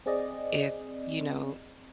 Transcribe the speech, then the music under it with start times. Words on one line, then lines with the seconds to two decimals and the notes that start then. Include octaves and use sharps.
if, you know,
0.06 C4 G#4 D5 D#5